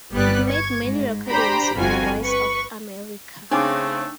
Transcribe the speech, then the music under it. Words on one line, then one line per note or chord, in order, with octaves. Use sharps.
He made many recordings for Voice of America.
G1 G3 B3 B4 D5 F#6
C#6 G#6
G#2
D4 G4 C5 G5 A#5 B5
G1 F2 F4 F#4 G#5
B4 C#6
C#3 A3 C4 D4 D#4 D6